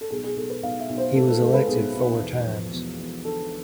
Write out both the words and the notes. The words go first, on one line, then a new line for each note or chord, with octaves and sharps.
He was elected four times.
A4
B1 G#4
G#4
B1 A4
B4
B1 F5
E5
B1
C5
B1 A4
A4
G#3 A4
B4
B1 G#4
B1
E2
F3
E2
E2
D3 A4